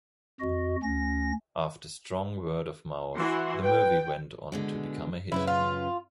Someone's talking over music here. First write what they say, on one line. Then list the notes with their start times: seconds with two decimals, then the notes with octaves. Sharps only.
After strong word-of-mouth, the movie went on to become a hit.
0.40 F2 F#4 D#5
0.83 D2 C#4 A#6
3.16 E3 F#4 C6
3.63 B4 G5
4.52 B2 D3 G#3
5.32 F#2 C#3 E4 B4
5.47 F4